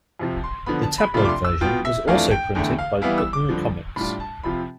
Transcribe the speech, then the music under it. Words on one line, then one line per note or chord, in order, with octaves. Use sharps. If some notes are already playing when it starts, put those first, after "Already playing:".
The tabloid version was also printed by Whitman Comics.
F2 C3 F3
C6
D3 F3 B3 B5
A5
B5
C3 F3 A3 D4 F4 B5
D6
C6
E6
B2 B3 F4 G5
E5
F2 E3 A3 D4 F5
G5
E2 D3 A3 G5
F5
E3 G3 B3 E4 F5
E6
D6
G2 D3 F3
A2 G3 D4 F4 B5
A5
C3 F3 C4 F4 B5